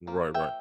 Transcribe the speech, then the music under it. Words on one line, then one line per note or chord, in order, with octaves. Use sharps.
Right, right.
F3 A#3
E5 G5